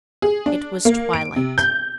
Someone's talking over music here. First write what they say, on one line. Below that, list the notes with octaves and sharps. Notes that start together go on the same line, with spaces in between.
It was twilight.
G#4
D4
A#3
D7
C3
G6